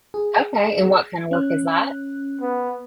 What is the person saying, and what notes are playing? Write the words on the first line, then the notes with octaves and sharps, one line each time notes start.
Okay, and what kind of work is that?
G#4
C#4 F#6
B3